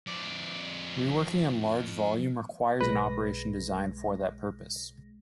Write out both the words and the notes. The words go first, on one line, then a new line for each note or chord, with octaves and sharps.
Reworking in large volume requires an operation designed for that purpose.
F2 D5
B1 G#3 B4 A#6